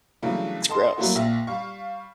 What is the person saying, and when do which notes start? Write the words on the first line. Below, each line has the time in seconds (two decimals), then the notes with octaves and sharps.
it's gross.
0.22 C#3 E3 F#3 G3 A3 D4
0.69 A4 D#5 A5 C6
0.97 F#3 G3 A3 A#3 E4 F#4
1.15 A#1 A#2 E5
1.47 G3 F5 C#6